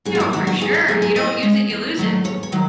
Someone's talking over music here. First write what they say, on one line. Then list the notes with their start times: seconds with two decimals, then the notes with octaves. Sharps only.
Yo, for sure. You don't use it, you lose it.
0.05 F#2 G#4
0.15 F#4
0.20 E4
0.33 D#3 F#4
0.37 F#3
0.47 F#4
0.61 B2 G#4
0.75 A4
0.88 F#3 G#4
0.91 A3
1.02 G#4
1.15 A2 D#5
1.43 G#3
1.70 E2
1.97 D#3 F#3 A3
2.24 E2 C#5
2.43 C#5
2.52 D#3 F#3